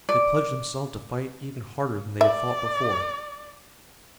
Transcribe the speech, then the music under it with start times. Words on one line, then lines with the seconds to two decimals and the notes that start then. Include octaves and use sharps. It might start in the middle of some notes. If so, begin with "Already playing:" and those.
They pledged themselves to fight even harder than they had fought before.
0.09 D5
2.21 D5 E5